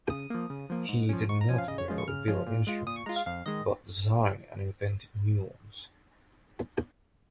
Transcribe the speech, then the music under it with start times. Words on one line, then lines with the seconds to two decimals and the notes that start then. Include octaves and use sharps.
He did not merely build instruments, but designed and invented new ones.
0.10 C#3 D#6
0.30 F3 A#3
0.50 C#3
0.70 F3 A#3
0.89 G#2
1.09 F3 C#4
1.29 G#2 C#6
1.41 A#5
1.49 F3 C#4 G#5
1.58 F5
1.68 C#3 D#5
1.78 C#5
1.88 F3 G#3 C#4 F4
1.98 C#6
2.08 C#3 F6
2.27 F3 G#3 C#4 F4
2.47 A#2
2.67 G#3 F4
2.87 A#2 D#6
2.96 C#6
3.06 G#3 F4 A#5
3.16 F5
3.26 F2 F5
3.46 D#3 G#3 D#5